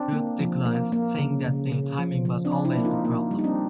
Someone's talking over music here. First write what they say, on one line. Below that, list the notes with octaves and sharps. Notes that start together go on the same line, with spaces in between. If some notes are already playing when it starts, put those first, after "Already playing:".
Ruth declines, saying that their timing was always the problem.
Already playing: C4 D4
A#3
F3
A#3
A#3
C#3
C#3
C#3
F3
F3
C4 D4
F3
D4 E4
A#3
D#4 F4
A#3
G3
D#4
C4 D4